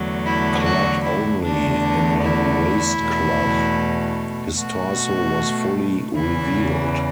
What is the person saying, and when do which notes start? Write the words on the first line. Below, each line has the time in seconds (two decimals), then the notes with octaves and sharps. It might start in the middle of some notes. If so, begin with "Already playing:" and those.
Clad only in a waist-cloth, his torso was fully revealed.
Already playing: E2 D3 F#3 A3
0.26 E4
0.65 F#4
1.04 E4
1.43 E2 D3 A3 D4
2.22 E4
3.01 E2 B2 A3
4.58 B2 A3 F#4
6.15 E2 C#3 E3 E4